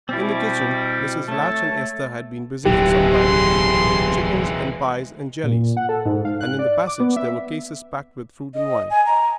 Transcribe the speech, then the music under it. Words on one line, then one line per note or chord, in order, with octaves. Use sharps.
In the kitchen Mrs. Latch and Esther had been busy for some time with chickens and pies and jellies, and in the passage there were cases packed with fruit and wine.
B2 G3 C4 E4
A3 C#5 E5 A5
D1 B1 E3 F#3 G#3 G4
C6
A#2
F#5
A4
G#2
F5
F#6
D5
D6
B3
E5
D#5
G#5
A#5